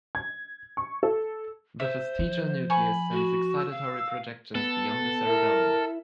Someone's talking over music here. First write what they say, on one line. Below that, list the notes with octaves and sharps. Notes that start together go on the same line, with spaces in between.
The fastigial nucleus sends excitatory projections beyond the cerebellum.
G#6
C#6
A4
C5 E5
F3
G#5 B5 C#6
F#4
E6
F5
B3 A4
E4 A#4